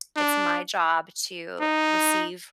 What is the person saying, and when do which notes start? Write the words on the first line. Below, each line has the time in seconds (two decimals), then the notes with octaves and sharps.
it's my job to receive
0.17 D4
1.60 D#4